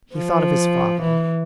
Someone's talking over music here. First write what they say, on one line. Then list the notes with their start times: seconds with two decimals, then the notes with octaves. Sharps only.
He thought of his father.
0.16 F3
1.02 E3